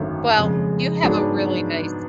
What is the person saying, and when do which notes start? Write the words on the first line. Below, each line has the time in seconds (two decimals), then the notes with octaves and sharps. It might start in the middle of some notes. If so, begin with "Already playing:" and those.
Well, you have a really nice
Already playing: G#1 F#2 D3 F#3 A3
0.37 F2 C#3 G#3
1.03 G#2 F#3 B3 D4 G#4